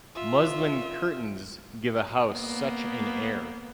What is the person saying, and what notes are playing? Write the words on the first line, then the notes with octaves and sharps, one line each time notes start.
Muslin curtains give a house such an air.
F4 E5
A#3 B3